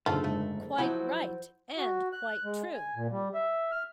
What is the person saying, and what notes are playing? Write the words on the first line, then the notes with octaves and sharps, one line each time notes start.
Quite right, and quite true.
F#1 G#2 D3 A3 F4 A4
G#3 A3
F3 F#3 E4 C5 F#5
F#4
F#6
G#3
G#5
A#2
G3
E5
F6